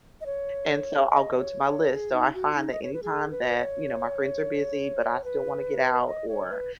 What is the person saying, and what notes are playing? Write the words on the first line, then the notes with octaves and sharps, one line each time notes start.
and, so, I'll go to my list. So I find that anytime that, you know, my friends are busy, but I still wanna get out, or
D#5
C#5
D#5
C#5
C#5
G#4
D#4
F#4
D#4
D#5
C#5
B4
G#4
B4
C#5
B4
D#5
C#5
B4